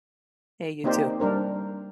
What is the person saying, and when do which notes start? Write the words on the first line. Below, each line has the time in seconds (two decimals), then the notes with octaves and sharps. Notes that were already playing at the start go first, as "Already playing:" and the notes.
Hey, you too.
0.84 A#3 C4 D#4 G4 C5 D5
1.20 G3 D4 A#4 C5